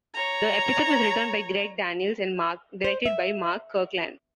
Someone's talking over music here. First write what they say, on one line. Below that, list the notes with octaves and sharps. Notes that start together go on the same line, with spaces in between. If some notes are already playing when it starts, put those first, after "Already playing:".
The episode was written by Greg Daniels, and directed by Mark Kirkland.
C#5 A#5
C5
E5